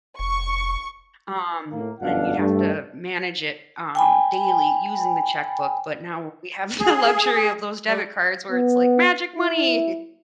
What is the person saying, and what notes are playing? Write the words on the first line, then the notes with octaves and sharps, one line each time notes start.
um, and you'd have to manage it, um, daily using the checkbook. But now we have the luxury of those debit cards where it's like, magic money
F1 C#6
A2 A#3
G1 F#2 B2 D4 F5 F#5
G2 A3
G5 G#5 B5
G#4
G3
B3
E4